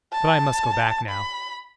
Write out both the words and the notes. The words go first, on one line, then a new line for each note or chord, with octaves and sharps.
But I must go back now.
A5
B5